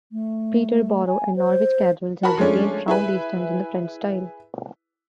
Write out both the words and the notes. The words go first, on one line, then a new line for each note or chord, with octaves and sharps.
Peterborough and Norwich Cathedrals have retained round east ends in the French style.
A3
G#5
C5
F#4 A#4 A5 B5
F3 G#3 A3 C#4 D4
E4 G#4 B4